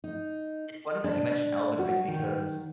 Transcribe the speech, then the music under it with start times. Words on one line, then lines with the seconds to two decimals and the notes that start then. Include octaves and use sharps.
it's funny that you mentioned Elden Ring because,
0.04 D#4
1.04 D4
1.79 F#4
2.08 D#3